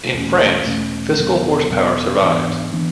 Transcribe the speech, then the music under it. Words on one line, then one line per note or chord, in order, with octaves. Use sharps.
In France, fiscal horsepower survives.
E2 B2 A3 C#4
E2 B2 A3 C#4
E2 B2 F#3 B3
E2 B2 F#3 B3
G#2 E3 B3 D4
E3 B3 D4